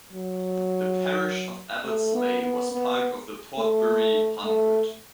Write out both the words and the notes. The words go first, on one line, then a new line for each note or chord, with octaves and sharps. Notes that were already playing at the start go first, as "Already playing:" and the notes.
The parish of Abbots Leigh was part of the Portbury Hundred.
F#3
A3
B3
B3
B3
A3
A3